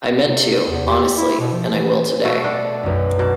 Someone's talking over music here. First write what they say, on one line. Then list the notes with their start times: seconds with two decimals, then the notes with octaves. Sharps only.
I meant to, honestly, and I will today.
0.24 C3
0.67 E2
0.87 G4
1.17 E4
1.40 B2
1.53 F3
1.72 E3
2.24 B2 A3
2.44 D4 A4 D5 A5
2.83 B1 F#2
3.19 B2 A5 D6